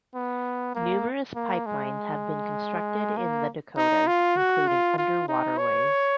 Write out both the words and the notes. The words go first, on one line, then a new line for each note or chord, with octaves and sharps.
Numerous pipelines have been constructed in the Dakotas, including under waterways.
B3
A#3
A#3
G#3
A#3
D#4
F4
F#4
F4
F4
D#4
C#5